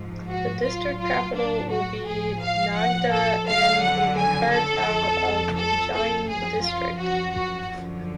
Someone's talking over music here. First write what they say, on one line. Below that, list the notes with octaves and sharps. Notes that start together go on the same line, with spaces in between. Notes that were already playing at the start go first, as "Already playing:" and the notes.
The district capital will be Nagda and will be carved out of Ujjain district.
Already playing: G#2 F3
F#4
A2 F#3 F4
F4
D4
F#4
A2 F3 G#4
F5
F#5
A4
F2 D3 F#3 F5
F#5
G#5
A4
F2 F3
A4
A4
F#2 F3 G#4
F4
F#4
F#4
F#2 D3 F3